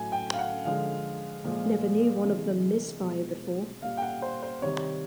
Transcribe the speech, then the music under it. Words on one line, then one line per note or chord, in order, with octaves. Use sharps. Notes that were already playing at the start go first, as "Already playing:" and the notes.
Never knew one of them missfire before.
Already playing: A2 F#3 G#5
G5
F5
F#5
D3 F3 G#3 F5
A#2 F3 G#3
C3 E3 G#3
B2 G#3
A#2 G3 F5
G5
F#5
C5
C5
C3 D#3 G3 C#5